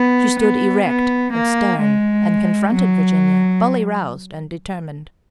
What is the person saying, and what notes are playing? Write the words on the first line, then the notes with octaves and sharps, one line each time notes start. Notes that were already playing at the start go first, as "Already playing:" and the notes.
She stood erect and stern and confronted Virginia, fully roused and determined.
Already playing: B3
B3
B3
A#3
G#3
F#3